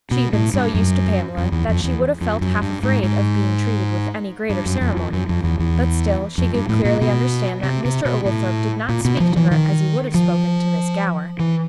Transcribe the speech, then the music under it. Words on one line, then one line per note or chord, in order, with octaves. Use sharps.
She had been so used to Pamela, that she would have felt half afraid of being treated with any greater ceremony; but still she could clearly understand that Mr. Oglethorpe did not speak to her as he would have spoken to Miss Gower.
B2
A2
G2
F#2
F2
E2
F2
E2
F2
F#2
G2
G#2
G#2
G2
F#2
F2
F2
F#2
F2
E2
E2
F2
G2
A2
A#2
B2
C3
C3
B2
A2
A#2
B2
F3
E3
D#3
F3
E3